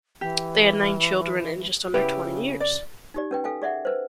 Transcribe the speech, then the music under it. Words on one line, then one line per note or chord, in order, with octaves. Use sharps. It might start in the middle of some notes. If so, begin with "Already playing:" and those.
They had nine children in just under twenty years.
E3 G4
C#3 E4 G4 B4
D5
D#4 G4 D5
C#4 B4 G5
A4 F5 G5 G#5
G#4 D5 E5 F#5
B4 C5